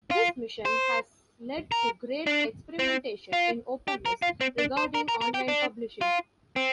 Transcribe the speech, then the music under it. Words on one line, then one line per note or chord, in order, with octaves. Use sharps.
This mission has led to great experimentation in openness regarding online publishing.
F4
C5
A#4
D4
C4
F4
G4
A#4
F4
C4
D4
C5
A#4
A#4
A#4
G4
D4
F4
C4